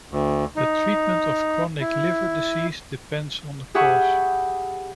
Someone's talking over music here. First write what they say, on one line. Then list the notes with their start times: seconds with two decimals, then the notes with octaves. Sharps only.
The treatment of chronic liver disease depends on the cause.
0.11 D2
0.56 D#4
1.81 E4
3.75 G4 G#4 E5 F#5 B5 C#6